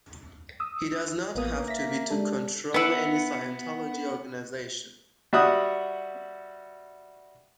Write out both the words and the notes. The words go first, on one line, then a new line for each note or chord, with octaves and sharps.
He does not have to be to control any Scientology organization.
D#6 E6
A1 A#3 B3 B4 D#6
E5 A#6 B6
G#3 D4 G4 A4 D5
B3 E4 B4 F#5
G3 F#4 E5 F#5 D#6